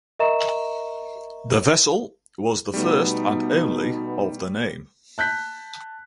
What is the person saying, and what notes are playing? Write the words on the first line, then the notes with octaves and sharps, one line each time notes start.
The vessel was the first and only of the name.
A#4 D#5 E5 A#5 C#6 E7
B2 G3 A3 B3 D#4
A5 F#6 G6 B6